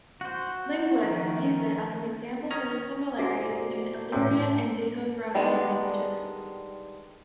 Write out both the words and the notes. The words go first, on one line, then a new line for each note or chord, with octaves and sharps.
Linguists use it as an example for the similarities between Illyrian and Daco-Thracian languages.
F#4 C5
D#3 F3 A3
D#3 C#4 A#5
C2 G#2 F#4 D6 C7
E2 A2 C3 C#4 G5
D#3 G3 G#3 B3 D4